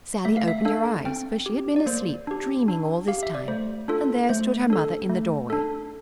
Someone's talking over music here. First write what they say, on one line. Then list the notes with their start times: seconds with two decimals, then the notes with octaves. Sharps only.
Sallie opened her eyes, for she had been asleep, dreaming all this time, and there stood her mother in the doorway.
0.25 A3 E5
0.37 F5
0.48 E5
0.65 D4 A4 F5
1.05 C4 G5
1.46 G4
1.76 D5
1.86 A#3 C5
2.27 D4 G4
2.68 D4
3.08 G4 F5
3.23 E5
3.35 D5
3.48 A3 C5
3.88 D4 F4 A4
4.29 A3 C5
4.70 D4 A4
5.09 A3
5.50 D4 A4